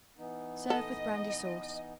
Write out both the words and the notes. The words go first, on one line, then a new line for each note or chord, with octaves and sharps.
Serve with brandy sauce.
E3 B3 D#4
A4 D#5